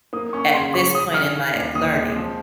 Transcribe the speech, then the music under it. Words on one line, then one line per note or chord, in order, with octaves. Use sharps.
at this point in my learning,
A#3 D#6
C#4 C#6
C#3 C6
C#3 C#6
C#3 D#6
C#4 F6
D#3
D#2
A#2 D#6
G#3
F3